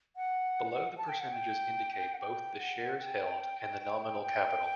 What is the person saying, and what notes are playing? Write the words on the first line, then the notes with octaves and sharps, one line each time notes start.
Below, the percentages indicate both the shares held and the nominal capital.
F#5
A5
G5
F#5
G5
F#5
G5
F#5
G5
G5